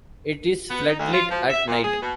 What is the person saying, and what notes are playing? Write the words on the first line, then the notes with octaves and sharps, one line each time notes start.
It is floodlit at night.
B3
D#4
D2
F4
F3
E5
A#2
G#4
B2